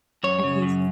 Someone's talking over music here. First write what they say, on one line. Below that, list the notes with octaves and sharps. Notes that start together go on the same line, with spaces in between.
and he's
F#2 C#5
C#3
F#2